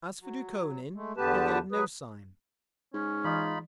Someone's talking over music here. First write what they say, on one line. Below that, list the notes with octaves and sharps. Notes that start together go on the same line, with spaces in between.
As for Dukhonin, he gave no sign.
F#3
G#3 A3
E2 D3 B3 G4 B4 A5
F#3 G#4 B4
G#2 C#4
E3 D#4 F4 B5